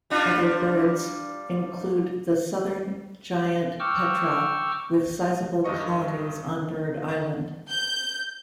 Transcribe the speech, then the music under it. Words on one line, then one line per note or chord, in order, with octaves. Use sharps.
Other birds include the southern giant petrel, with sizeable colonies on Bird Island.
G3 D4 F4
G5 C#6 D6 E6 F6
G2 D#3 F#3 D#5 C#6
G6